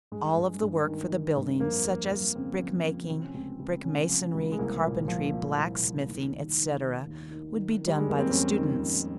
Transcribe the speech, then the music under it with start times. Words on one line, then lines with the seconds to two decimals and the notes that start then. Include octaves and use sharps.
All of the work for the building, such as brickmaking, brick-masonry, carpentry, blacksmithing, etc., would be done by the students.
0.12 G2 G#3
0.37 G2
0.62 G2
0.86 D#3
1.11 D#3
1.36 G2
1.60 F2 A#3
1.85 F3
2.10 F2
2.35 C#3 C4
2.60 F3
2.85 F3
3.09 C3 C4
3.22 C#4
3.34 C#2 C4
3.59 C#2
3.84 C3 C#4
4.09 F3
4.34 C#2
4.52 G#3
4.58 C2 A#3
4.83 A#2
5.08 F3
5.33 A#2
5.58 C2
5.83 C2
6.08 D#2
6.33 D#3
6.57 D#3
6.82 D#3
7.07 D#2
7.31 D#3
7.56 D#3
7.81 D#3
7.87 G3
7.98 G#3
8.06 F2 A#3
8.20 C4
8.30 F2 C#4
8.56 D#3
8.80 F2